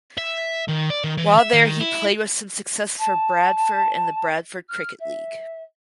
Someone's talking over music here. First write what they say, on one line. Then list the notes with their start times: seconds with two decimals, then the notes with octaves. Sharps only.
While there he played with some success for Bradford in the Bradford Cricket League.
0.18 E5
0.68 D#3
0.90 D5
1.04 D#3
1.17 E3
1.38 E5
1.53 D#3
1.80 E4
2.98 A5
4.68 F6
4.99 E5